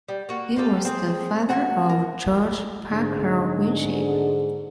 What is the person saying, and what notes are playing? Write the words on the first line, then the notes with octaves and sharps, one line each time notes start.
He was the father of George Parker Winship.
G3
A#3 F#4
A#3 F4 G4 A4
C4 G#4
F#4 F#5 G#5
A#4
G#2 D3 G#4